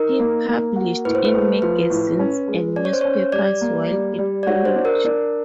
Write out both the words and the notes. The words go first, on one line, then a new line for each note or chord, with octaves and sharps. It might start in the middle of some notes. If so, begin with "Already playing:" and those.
He published in magazines and newspapers while at college.
Already playing: D#4 A#4
A#3
A#3
F#4
A2 B4
C5
B4
A3
F3 B4
A2
C#4
G#3
C#4 D5
C#5
C5
C#4 C#5
G3 D5
A#3
G3
G3
D5
F#4 C#5
C5
D4
A#4
D4